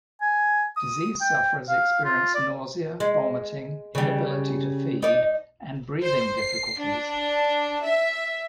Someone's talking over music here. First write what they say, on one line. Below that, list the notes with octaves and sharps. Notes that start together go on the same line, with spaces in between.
Disease sufferers experience nausea, vomiting, inability to feed, and breathing difficulties.
G#5
D#6
G5
F5
F4
D5
G#3
C#3 G3
D#4 D5
C5
C7
D4
E5